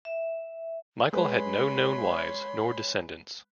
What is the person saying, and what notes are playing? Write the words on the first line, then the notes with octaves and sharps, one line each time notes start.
Michael had no known wives nor descendants.
E5
G#3 B4 C#5 B5 C6